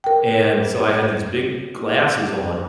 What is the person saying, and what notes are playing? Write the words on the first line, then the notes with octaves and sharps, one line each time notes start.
And so I had these big glasses on.
A#4 G5